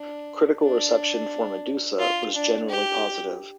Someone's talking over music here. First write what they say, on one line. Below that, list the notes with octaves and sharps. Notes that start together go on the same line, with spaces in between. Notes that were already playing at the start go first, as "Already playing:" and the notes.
Critical reception for "Medusa" was generally positive.
Already playing: D4
D4
F4
D4
G4